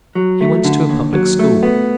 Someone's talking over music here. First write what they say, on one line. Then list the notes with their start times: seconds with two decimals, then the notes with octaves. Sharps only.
He went to a public school.
0.15 F#3
0.41 A3
0.64 D3
0.89 D#2
1.13 F#3
1.39 A3
1.63 B3